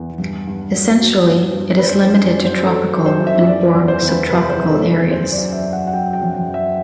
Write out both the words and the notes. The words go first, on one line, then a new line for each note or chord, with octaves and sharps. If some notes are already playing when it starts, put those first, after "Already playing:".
Essentially it is limited to tropical and warm subtropical areas.
Already playing: E2
G2
G2
F#3
F#3
G2
G2
B4
F#2 C5
C5
F#2
D5
F#3
C5
F#3 A4
F#2
C5
F#2
E5
E3 D5
B4
E2
C5
E2
B4
C3 B4
B4
C5
E3
A4
E2
B4
F#2 C5
D5
F#2
E5
F#3
F#5
F#5
F#3 G5
G5
F#2
G5
F#2
E5